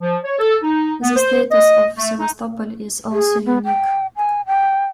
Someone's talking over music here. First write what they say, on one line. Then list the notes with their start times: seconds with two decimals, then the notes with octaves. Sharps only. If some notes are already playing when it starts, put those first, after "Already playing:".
The status of Sevastopol is also unique.
0.02 F3
0.25 C#5
0.39 A4
0.63 D#4
1.02 B3
1.16 C5
1.52 D#5
1.97 A3
2.19 D#4
3.12 G#4
3.46 B3
3.65 G5
4.17 G#5
4.47 G5